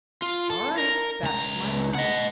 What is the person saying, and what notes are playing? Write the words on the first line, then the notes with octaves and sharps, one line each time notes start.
"All right--that's my line."
F4
A4
A#4
C#2 A#5
D#5 F#5